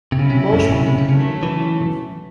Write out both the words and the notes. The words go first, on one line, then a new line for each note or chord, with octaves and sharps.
Welsh played for Edinburgh University.
C3
C#3 F#3 C#4 E4
C3
F#2
A2
C3
C3
C#3
C#3 F#3 A3 C#4
D#3
E3